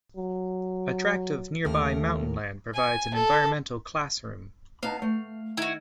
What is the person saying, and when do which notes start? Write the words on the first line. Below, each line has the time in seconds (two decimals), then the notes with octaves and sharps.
A tract of nearby mountain land provides an environmental "classroom".
0.17 F#3
1.65 D#2 A3 A#4
2.74 G#5
3.14 A4
4.83 B3 D#4 F5 A5
5.02 A3
5.57 D#3 E4 F#4